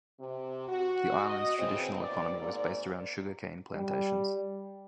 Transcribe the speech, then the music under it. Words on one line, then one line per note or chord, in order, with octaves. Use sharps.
The island's traditional economy was based around sugarcane plantations.
C3
F#4
D#5
C#3 E3 C4
D2 B2 C4 D5
G#2 A#3 D5
G3